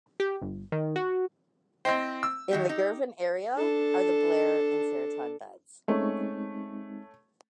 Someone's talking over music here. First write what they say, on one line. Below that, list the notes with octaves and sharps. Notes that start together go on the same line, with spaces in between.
In the Girvan area are the Blair and Straiton Beds.
G4
G1
D#3
F#4
C4 E4 C5 D#5 G5
E6
D#3 F#4 G4
D#4 G4
D4 A4
G#3 A3 C4 C#4 D#4